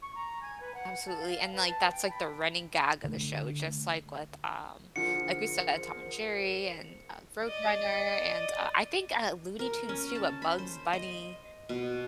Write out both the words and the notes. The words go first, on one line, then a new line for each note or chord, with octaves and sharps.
Absolutely, and, like, that's, like, the running gag of the show, just like with, um like we said, Tom and Jerry and, uh, Roadrunner and, uh, I think, uh, Looney Tunes too, but Bugs Bunny,
C#6
A#5
G#5
B4
F#5
A5
F5
B4
A5
G5
B5
D3 A3
D3 F3 G#4 A#4 C5 C#7
D5 D#5
A#4
C#4
A5
B5
C5
D#5
B2